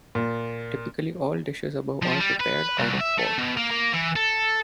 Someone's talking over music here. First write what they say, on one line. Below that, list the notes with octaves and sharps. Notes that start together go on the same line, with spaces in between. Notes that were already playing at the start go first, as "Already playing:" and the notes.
Typically all dishes above are prepared out of pork.
A#2
F3
G3
B4
C2
E5
A3
B2
A#3
A#3
E3
A4